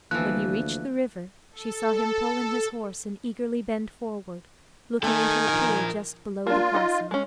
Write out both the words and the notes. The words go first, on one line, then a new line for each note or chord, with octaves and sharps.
When he reached the river she saw him pull in his horse and eagerly bend forward, looking into a pool just below the crossing.
D2 E3 F3 A#3 F#6
A4
D#3 A3 A4 G#5
F3 A#4
A#3 D4 F4
D#4 D#5
G#3 C#4